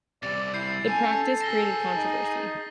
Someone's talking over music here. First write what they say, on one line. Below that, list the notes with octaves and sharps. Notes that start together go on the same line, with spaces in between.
The practice created controversy.
C3 G3 D5 A6
E4 G6 C7
C#4 A4 G#5
G#4 A5 A6 A#6 G7
D#4